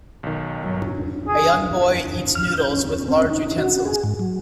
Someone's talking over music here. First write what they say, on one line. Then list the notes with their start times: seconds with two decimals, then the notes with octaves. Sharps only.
A young boy eats noodles with large utensils.
0.23 B1 D#3
0.63 G2 F#3
1.28 G#4
2.35 F6
2.58 G6
2.72 C#4
2.89 C#4
3.08 C4
3.30 D#4
3.58 F#4
3.86 G#4
4.04 G#2
4.19 F#3